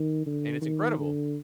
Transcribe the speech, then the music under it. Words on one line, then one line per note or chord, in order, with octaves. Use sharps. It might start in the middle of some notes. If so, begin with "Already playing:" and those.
And it's incredible.
Already playing: D#3
D3
D#3
D3